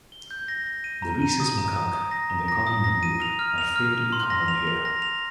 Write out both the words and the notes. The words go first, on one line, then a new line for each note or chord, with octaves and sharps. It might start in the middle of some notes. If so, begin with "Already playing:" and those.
The rhesus macaque and the common langur are fairly common here.
G7
G6
A#6
A#6
D#7
A#5
D#7
D#6
A#5
D#6
D#6
A#6
A#5
A#6
D#6
A#6
D#7
F7
F6
F7
F6
F6
C6
A#6
F7
F7
A#6
F7